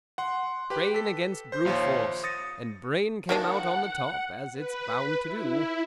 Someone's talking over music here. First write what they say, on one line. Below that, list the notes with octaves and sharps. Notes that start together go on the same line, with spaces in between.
'Brain against brute force--and brain came out on the top--as it's bound to do.
F#5 C6
G4 B4 G5
A4 B6
C5 G6
A#1 D#2 F4 C5 C#5
D#6 A6 A#6 C#7
D#3 A#3 D4 F#5
B4
E4